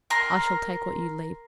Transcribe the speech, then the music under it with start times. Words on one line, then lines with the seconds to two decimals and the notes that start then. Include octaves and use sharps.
I shall take what you leave.
0.10 A#4 C6